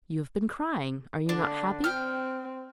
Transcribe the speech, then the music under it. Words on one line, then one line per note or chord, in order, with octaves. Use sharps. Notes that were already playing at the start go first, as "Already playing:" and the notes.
'You have been crying--are you not happy?'
D3 D4
C4 G5 F6